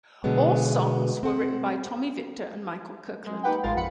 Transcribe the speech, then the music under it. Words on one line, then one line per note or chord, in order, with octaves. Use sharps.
All songs were written by Tommy Victor and Michael Kirkland.
B2 D3 F#3 G#3 B3
C4 F#5
G#3
A#3 D#4 G4 B4 F#5 G5
A1 G#3 F4 A#4 F5 A6
F2 F3 F#5 B5 C#7